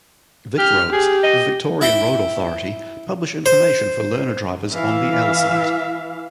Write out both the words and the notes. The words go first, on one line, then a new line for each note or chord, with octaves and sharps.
VicRoads, the Victorian road authority, publish information for learner drivers on the L-Site.
G4 F6
G4 G#4
D#5
E4 E5 G5
C5
E3 E5 F5